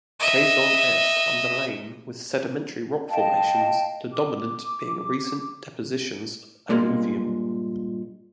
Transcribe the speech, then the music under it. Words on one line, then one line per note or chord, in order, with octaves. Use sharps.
Quezon s underlain with sedimentary rock formations the dominant being recent depositions of alluvium.
D#5 E5
D#5 F5 G5 A5
D6
G2 A#2 G#3 A#3